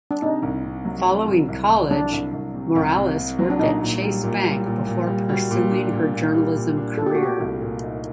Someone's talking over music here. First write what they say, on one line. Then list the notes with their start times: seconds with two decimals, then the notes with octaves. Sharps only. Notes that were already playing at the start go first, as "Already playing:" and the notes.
Following college, Morales worked at Chase Bank before pursuing her journalism career.
0.11 D4
0.22 C3 D#4
0.42 C2
0.64 C3
0.85 F#3
1.06 C3
1.28 C2
1.48 C2
1.70 C2
1.90 F#3 D4
2.12 C2
2.33 C2
2.54 C3
2.76 C2
2.97 C3
3.17 C3
3.39 F#3
3.50 D4
3.59 A#2 D#4
3.81 A#2
4.02 G3
4.23 A#2
4.44 G3
4.65 A#2
4.87 A#2
5.07 G3
5.29 G3 F#4
5.51 A#2
5.71 D4
5.92 A#2
6.13 A#2
6.35 G3
6.56 A#2
6.77 D4
6.97 A#2 A4
7.06 G4
7.15 F#4
7.19 A3 G4
7.40 C2
7.61 A#2
7.82 D#4